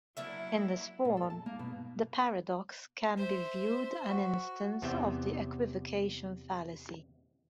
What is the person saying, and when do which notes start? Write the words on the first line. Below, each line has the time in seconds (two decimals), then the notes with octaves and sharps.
In this form, the paradox can be viewed an instance of the equivocation fallacy.
0.17 F#3 A#3 D4 E4 E5
1.05 A#2
1.17 A4
1.30 A5
1.46 A#3
1.59 B2
3.17 C5 E5
4.10 F#4
4.82 E2 C3 B3 E5 G5